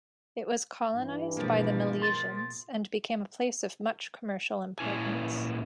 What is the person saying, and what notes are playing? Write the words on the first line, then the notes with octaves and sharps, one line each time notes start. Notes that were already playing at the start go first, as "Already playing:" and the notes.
It was colonized by the Milesians and became a place of much commercial importance.
G2 E3
B2 F3 G#3 A#3
C6 A6
A#2 C#4 E4 G#5